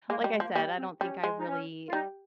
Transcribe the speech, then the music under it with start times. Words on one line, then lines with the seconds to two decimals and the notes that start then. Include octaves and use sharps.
like I said, I don't think I really
0.09 G#3 A#3
0.21 G#3
0.24 G3
0.32 G#3
0.40 F3
0.44 A#3
0.55 G3 A#3
0.78 C4
1.01 G3 C#4
1.23 G#3
1.39 D#4
1.47 C#4
1.88 F4
1.93 G3 D#4